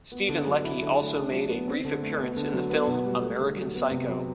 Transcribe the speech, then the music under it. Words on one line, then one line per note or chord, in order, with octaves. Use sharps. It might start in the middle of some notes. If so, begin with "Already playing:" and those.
Steven Leckie also made a brief appearance in the film, "American Psycho".
B3
D3
F#3
E4
D3
A3
D4
F#3
B3
C4
D3
A3
B3
D3
F#3
B3
B2
G3
A3
D3
F#3
B3
C3
F#3